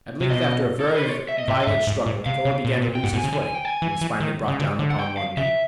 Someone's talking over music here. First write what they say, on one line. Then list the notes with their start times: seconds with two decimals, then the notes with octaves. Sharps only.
At length after a very violent struggle Thor began to lose his footing, and was finally brought down upon one knee.
0.20 C3
0.31 B2 D#5
0.80 A4
0.88 A#4
0.95 B4
1.02 C5
1.09 C#5
1.29 E5
1.39 D#5
1.48 A2 E5
1.55 D#5
1.63 G#2 E5
1.87 G#2
2.06 A2
2.26 C3 F5
2.45 C3
2.65 A#2
2.73 B2
2.82 A#2
2.95 G5
3.03 G#2 F#5
3.13 A2
3.16 G#5
3.24 C#3
3.29 G#5
3.33 D3
3.43 G#5
3.54 G5
3.65 G#5
3.82 E3
4.01 E3
4.20 D#3
4.48 C#3
4.60 D3
4.79 D3
4.91 F#5
4.99 G5
5.17 F5
5.37 C#3 E5